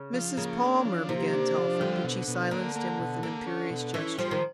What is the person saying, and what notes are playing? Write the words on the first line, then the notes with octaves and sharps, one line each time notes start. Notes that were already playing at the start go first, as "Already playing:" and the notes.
"Mrs. Palmer," began Telford, but she silenced him with an imperious gesture.
Already playing: C#3
F3
C#3 A#3
D4
F3
C3 A#3
D4
F3
D3 G3
B2
B2
D3 A#3
A#3
B2
D3 A#3
C#4
B2
E3 C#4
F3 G3
D#3